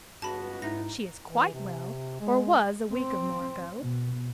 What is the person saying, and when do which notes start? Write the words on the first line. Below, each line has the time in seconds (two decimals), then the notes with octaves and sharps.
She is quite well, or was a week or more ago.
0.22 C#2 G2 B3 F#4 A5 B5
0.62 G#2 D#4 E4 A#6
1.28 E3
1.53 C3
2.20 G#3
2.92 C4
3.80 B2